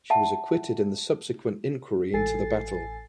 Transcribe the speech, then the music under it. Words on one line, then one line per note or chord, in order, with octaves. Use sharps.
He was acquitted in the subsequent inquiry into the battle.
E5 F#5 A5
A1 A4 G#5 A6 C7